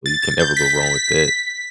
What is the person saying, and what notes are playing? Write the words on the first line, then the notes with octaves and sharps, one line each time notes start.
Well, you can never go wrong with that.
A6
A6
G6
B6